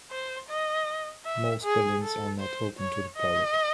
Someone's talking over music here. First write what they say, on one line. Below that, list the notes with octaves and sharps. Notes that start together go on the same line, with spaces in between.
Most buildings are not open to the public.
C5
D#5
E5
G#4
A4
C5
C#5
D#5